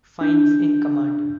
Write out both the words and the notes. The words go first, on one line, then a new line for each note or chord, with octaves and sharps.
Fines in command.
D4 G6